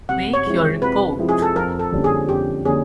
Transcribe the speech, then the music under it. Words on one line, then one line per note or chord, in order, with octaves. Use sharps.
Make your report.
C3 F#5
C#5
F3 G#3 C4 E4
C3 B4
F3 G#3 C4 E4
G#4
A4
F2 A#4
A4
D3 G3 A#3 C#4
G#4
F2 G4
D3 G3 A#3 C#4 G#4